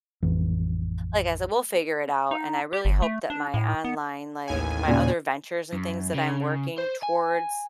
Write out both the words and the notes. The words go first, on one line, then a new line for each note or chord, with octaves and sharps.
like I said, we'll figure it out. And I really hope that my online, like my other ventures and things that I'm working towards
A1 F2 E3
D#4
G4
G1
A3
D4
A2
B3
A1 D#2 G#5
A#2 C#3
F#2
C#3
C5
G#5